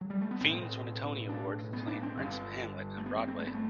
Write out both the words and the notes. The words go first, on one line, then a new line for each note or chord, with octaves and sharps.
Fiennes won a Tony Award for playing Prince Hamlet on Broadway.
F#3
G3
A3
B3
B1 A2 C4
D4
B3
D4
C4
G1 G2 D3
A3
B3
C4
C4
A3
B3
A3